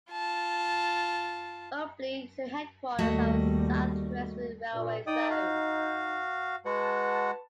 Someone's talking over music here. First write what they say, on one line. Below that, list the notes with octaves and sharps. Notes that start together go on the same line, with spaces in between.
Hubli is the headquarters of the South Western Railway zone.
F4 A5
D#2 G3 A3 F#4 D#5
G2 A#2
D#4 D5 G5 D#6
F#4 F5
G#3 F#4 B4 F#5 A5